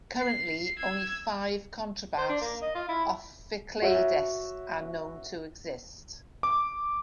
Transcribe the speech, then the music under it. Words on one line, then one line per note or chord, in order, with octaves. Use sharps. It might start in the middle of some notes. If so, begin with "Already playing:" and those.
Currently, only five contrabass ophicleides are known to exist.
C7
E6 G#6
C5
D4
A#3
D#5
F4
E4
F#4 C#5 E5 F#5
D6